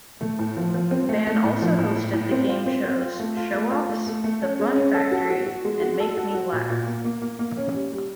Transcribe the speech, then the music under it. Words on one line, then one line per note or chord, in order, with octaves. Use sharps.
Van also hosted the game shows "Showoffs"," The Fun Factory", and "Make Me Laugh".
A3
A2
F3
F3
C4
A3
A3
A2
F3
A2
A2
A2
C4
F4
C4
C4
F4
A3
F4
A3
F4
A3
A3
A3
C#4
G#3
C#4
A4
F#4
F#4
F#4
G#3
F#4
A4
F#4
F#4
A#2
A#2
A#3
A#3
A#3
A#3
C#4
G3
G3